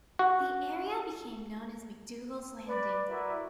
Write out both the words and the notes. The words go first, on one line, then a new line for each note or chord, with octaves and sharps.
The area became known as "McDougal's Landing".
F#4
B4 D5
E4 F#4 A#4 B4 D5 E5